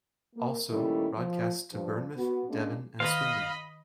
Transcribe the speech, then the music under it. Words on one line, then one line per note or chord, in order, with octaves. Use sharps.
Also, broadcast to Bournemouth, Devon, and Swindon.
A#3
A#2 D#3 G3 A3 C#4 E4
F3
G2 F3
B3 F#4
G#3 A#3 C#4 D4
D#3 D#5 F5 B5